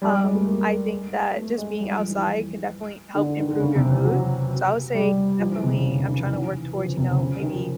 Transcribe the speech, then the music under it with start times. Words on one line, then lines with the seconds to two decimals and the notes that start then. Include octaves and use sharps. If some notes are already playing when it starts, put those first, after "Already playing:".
Um, I think that just being outside can definitely help improve your mood. So, I would say, definitely, I'm trying to work towards, you know, maybe
0.02 G3
0.12 G3
0.23 G#3
0.35 A3
0.46 A#3
1.36 A3
1.58 G#3
1.80 G3
1.96 F3
2.10 E3
3.15 D3
3.37 D#3
3.49 D3
3.60 C#3
3.75 C3
3.90 E3
4.05 F#3
4.94 G3
5.39 F3
5.50 E3
5.63 C3
5.74 C#3
5.84 C3
5.96 C#3
6.07 D#3
6.19 E3
6.30 E3
6.75 F3
6.85 C#3
6.97 C3
7.08 C#3
7.19 C#3
7.42 D#3
7.53 F3